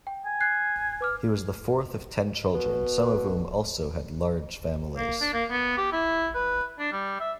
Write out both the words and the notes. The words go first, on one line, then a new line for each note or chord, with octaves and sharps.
He was the fourth of ten children, some of whom also had large families.
G5
G#5
F#6 G#6 C7
B4 D6 F6
B2
A#3
D4
A#3
B3
G4
E4
B4
D4
G3
E5